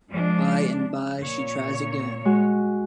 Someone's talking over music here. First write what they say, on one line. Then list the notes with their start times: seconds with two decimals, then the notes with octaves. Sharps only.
By and by she tries again.
0.11 F3 G#3 D4
1.20 A#2 C#5
2.25 G#3 F#4